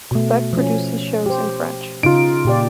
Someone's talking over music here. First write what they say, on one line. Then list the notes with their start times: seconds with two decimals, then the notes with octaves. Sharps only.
Quebec produces shows in French.
0.11 B2 A3
0.53 F3 C#4
1.26 G4 C5
2.03 C#3 D#4 F4 D7
2.45 A#2 G4 D5